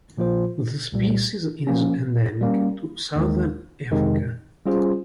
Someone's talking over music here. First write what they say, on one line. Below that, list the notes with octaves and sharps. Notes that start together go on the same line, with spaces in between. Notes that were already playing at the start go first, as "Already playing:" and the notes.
The species is endemic to Southern Africa.
A#2 F3 A#3 F4 C5
C2 A#2 G3
F3 A#3 C#4
G3 A#3 C#4
D#2 D#3 G#3
F2 C3 D#3 G#3 D#4
G3 C#4 F4 G#4 C5